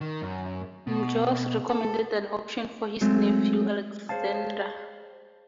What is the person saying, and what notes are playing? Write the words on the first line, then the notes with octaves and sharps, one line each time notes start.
Mojs recommended an option for his nephew Alexander.
D#3
F#2
B2
A4
F#3 G#3 A3 C4
G#4 C5 C#5 F5 A5